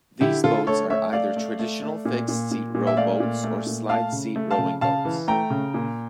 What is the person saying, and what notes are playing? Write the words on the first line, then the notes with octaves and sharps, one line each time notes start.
These boats are either traditional fixed seat row boats or slide seat rowing boats.
D3 E4 G4
D3 F4 A4
A3 A4 C#5
A3 C#5 E5
A3 D5 F5
A3
A3
A3
A#2
A#2
A#2
A#2
E5
A3 D5 F5
A#2
A3
A#2
A3 F5 A5
C#3
A3
F5 A5
C#3
C#3 F5 A5
E3
A3 G5 A#5
C#3
A#2